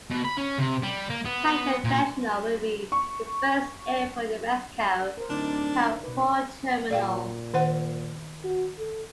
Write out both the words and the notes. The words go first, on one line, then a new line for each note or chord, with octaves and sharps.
Cancun International will be the first airport in Mexico to have four terminals.
B2
B5
C#4
C3
G3
A#3
B3
A#2
C#6
A#4 C5
D1 D3 D4 D#4 D5
B2 B4
A#2 D5 F5 G5
D#3 C5 F#5
F#4
A4